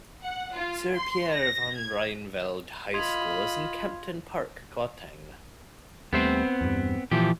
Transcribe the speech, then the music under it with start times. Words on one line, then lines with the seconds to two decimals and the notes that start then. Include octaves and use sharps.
Sir Pierre van Ryneveld High School is in Kempton Park, Gauteng.
0.23 F#5
0.55 F4
0.95 C6
1.34 A#6
1.76 G#6
2.94 F4 D#5 B5 C6 G#6 F7
6.13 D#2 G3 A3 B3 C4 C5
6.61 E2 G2
7.11 A#2 E3 F3 G4